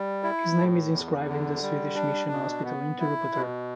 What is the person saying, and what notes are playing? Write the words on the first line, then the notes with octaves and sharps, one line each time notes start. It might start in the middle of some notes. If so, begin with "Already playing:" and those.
His name is inscribed in the Swedish Mission Hospital in Tirupattur.
Already playing: G3
E4
A2
E2
D3
G3
D4
B2
B3
E4
B2